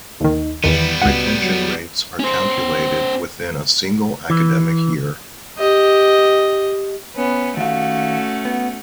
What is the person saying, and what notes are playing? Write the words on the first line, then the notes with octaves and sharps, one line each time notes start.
Retention rates are calculated within a single academic year.
D#2 D#3 D#4
E2 D#3 E3 G3 B3
C#2 B2 F#5
F#3
C#4 C5
E3
G4 D#5
B3 C#4
D#3 A3 C#4 F#4 F5
B3